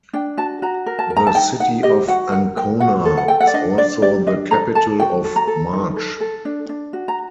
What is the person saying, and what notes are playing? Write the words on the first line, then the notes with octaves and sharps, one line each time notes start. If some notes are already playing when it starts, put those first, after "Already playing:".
The city of Ancona is also the capital of Marche.
D4 G5
F#4 A5
F#4 A#5
A#4
A5
A#4
A#5
A5
D#4 G5
D#4 F#5
G4 D#5
F#4 F#5
A#4 F#5
A#4 G5
F#4 F#5
A4
F#5
A4 G5
F#5
D5
D4 D#5
D4 D5
G4 D5
D4 D#5
A4 A#5
A4 A5
F#4 G5
A4
A#5
A4
D#4
A4
A4
D4
D4
F#4
A#5